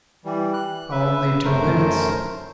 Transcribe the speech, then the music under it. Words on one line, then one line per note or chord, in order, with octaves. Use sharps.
"Only two minutes."
E3 G3
F#6
B4 E5
F#2 A3 A#4 C5